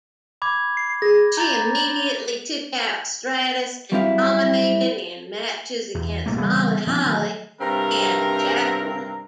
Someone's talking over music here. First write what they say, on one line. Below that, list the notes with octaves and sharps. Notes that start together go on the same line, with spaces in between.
She immediately took out Stratus and dominated in matches against Molly Holly and Jacqueline.
B5 D6 G#6
C7
G#4 A#6
A#5 G6 A6
F#3 G3 C4 E4 G4 F5
E2
F#1 F#2 A3 A#3
C#3 E3 G3 B3
F3 B3 C4 D4
D#3 F#3 A3
G2 C3 C4 A#4 A#5